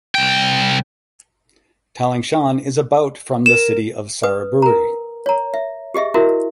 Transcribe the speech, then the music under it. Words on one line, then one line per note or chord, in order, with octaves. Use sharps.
Taling Chan is about from the city of Saraburi.
C2 G5
A#4 E7
B4 D#6
A#4 A#5
C#5 A#5
E5
G4 G#4 D#5 E5
E4 F#4 A#4 E5